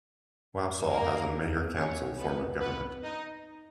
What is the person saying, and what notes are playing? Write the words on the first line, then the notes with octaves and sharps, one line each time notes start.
Wausau has a mayor–council form of government.
A#3 A#4
C#4 C#5
B3 B4
B3 B4
D#4 D#5